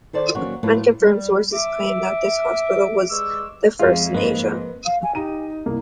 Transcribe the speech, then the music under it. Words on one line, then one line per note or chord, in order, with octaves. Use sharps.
Unconfirmed sources claim that this hospital was the first in Asia.
D#3 A4 C5 D5
D#3 F#3 A#3 C#4 F#4
A2 F#3 A3 A#3 F4 B4
G3
E5 D6
G2 G#3 G#4 C#6 D6 E6
F2 G#3 F4 E5
G#2 A#3 B4 D#5
F5
G#5
D#4 G4 A#5 D#7
C2 A#3